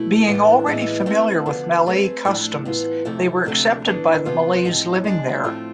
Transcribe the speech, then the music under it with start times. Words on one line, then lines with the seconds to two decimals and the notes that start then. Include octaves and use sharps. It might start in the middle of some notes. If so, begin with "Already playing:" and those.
Being already familiar with Malay customs, they were accepted by the Malays living there.
Already playing: B2 A3 E4
0.27 A2 E3 B3 D4
0.66 A2 E3 G#3 B3 E4
1.06 A3 C4 E4 B4 E5
1.46 D2 D3 F3 B3
1.86 A3 C4 G#4 B4
2.25 A2 F3 A3 D4
2.65 A2 E3 B3 F4
3.05 F2 C3 F3 A3 E4
3.45 D2 C3 F3 A3 D4
3.85 A2 E3 B3 D4
4.25 C3 F3 B3 F4
4.65 A2 F3 G#3 C4
5.04 G#3 D4 G#4
5.44 A2 F3 A3 C4 F4